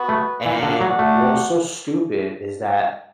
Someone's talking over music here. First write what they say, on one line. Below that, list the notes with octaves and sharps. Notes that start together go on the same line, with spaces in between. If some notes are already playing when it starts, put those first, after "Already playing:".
And what was so stupid is that.
Already playing: B3 F#4 B4
A3
E3
D3 F#4 D5 F#5
F#3
A3